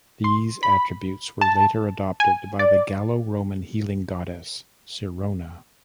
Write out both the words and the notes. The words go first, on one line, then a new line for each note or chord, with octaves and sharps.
These attributes were later adopted by the Gallo-Roman healing goddess, Sirona.
C6
B5
A5
G#5
D5